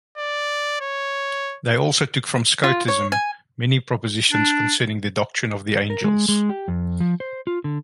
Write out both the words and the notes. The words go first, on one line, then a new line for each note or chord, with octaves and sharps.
They also took from Scotism many propositions concerning the doctrine of the angels.
D5
C#5
F4
C#5
G#5
D4
A#4
G#3
G#3
G4
F2
F3
C5
F4
D3